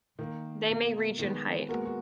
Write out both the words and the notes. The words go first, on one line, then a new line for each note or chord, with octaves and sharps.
They may reach in height.
D#3 A#3
B2 A#3
D#3 G#3 B3
A#2 G#3 B3 F#4 A#4
F#4